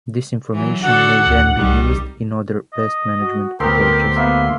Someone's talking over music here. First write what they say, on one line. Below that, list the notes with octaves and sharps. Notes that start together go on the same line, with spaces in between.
This information may then be used in other pest management approaches.
E3 F#3
D3 D4 F#4 A4 F#5
A1 D2
C2 D#3 G3
D#5
F#4
D2 B3 C4 G4 A#4 C6
A#3 B3 E5